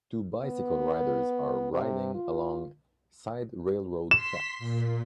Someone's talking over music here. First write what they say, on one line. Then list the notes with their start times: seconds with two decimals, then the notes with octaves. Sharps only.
Two bicycle riders are riding along side railroad tracks.
0.43 B3
1.73 C3
2.14 F4
4.11 C6 B6 E7
4.59 A#2